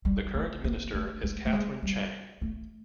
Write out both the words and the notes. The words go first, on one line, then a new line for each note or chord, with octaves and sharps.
The current Minister is Katharine Chang.
G3
A3
A#3
A3
G#3
A3
G#3
G3
A3